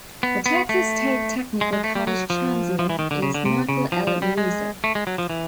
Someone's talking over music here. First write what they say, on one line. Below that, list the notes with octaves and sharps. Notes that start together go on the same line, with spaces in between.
The Texas State Technical College chancellor is Michael L. Reeser.
B3
B3
A3
G#3
G#3
A3
G3
F#3
F3
F3
E3
D#3
D3
C#3
D3
C3
C#3
F3
F3
G3
G#3
A3
G#3
F#3
F3
E3